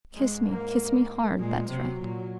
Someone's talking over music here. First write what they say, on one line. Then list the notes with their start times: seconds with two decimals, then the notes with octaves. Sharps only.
Kiss me, kiss me hard, that's right.
0.15 G#2 G#3
0.46 A#3
1.38 A#2 G#3
1.69 C3 F#3
2.00 A#2